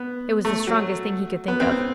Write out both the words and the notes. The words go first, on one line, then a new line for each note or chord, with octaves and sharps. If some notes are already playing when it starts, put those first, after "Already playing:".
It was the strongest thing he could think of.
Already playing: B3
A3
F#3
B3
C4
C4